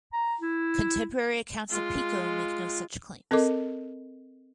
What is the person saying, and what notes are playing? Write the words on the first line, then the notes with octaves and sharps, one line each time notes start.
Contemporary accounts of Pico make no such claims.
A#5
E4
G#3 F4
C4 A4 A#4 D#5 D6